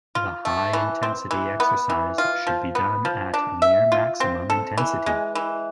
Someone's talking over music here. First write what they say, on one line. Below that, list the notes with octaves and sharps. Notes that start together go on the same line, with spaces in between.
The high-intensity exercise should be done at near maximum intensity.
F4
A3
E3
C4
E3
B3
E3
F4
F3
B3
F3
D4
E5
F4
C4
A4
E3
G#3
E3